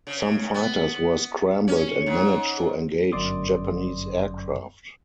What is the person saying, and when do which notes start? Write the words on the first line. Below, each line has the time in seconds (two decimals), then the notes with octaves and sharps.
Some fighters were scrambled and managed to engage Japanese aircraft.
0.07 C#3
0.54 B3
1.68 C#4
2.06 G#2
3.12 G1 F#2 D5 C6 D6 D#6